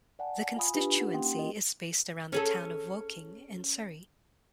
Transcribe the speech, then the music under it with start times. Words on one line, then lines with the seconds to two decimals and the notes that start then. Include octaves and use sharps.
The constituency is based around the town of Woking in Surrey.
0.19 D5 F#5 G#5 A5
0.56 F4 F5 G#5 B5 D#6
0.75 D4 F4 G4 B4
0.97 D#4 F#5
1.14 A#3 C#4 G4 G5 C6 D#6
1.35 F4 A#4 D#5
2.32 C#4 G#4 A4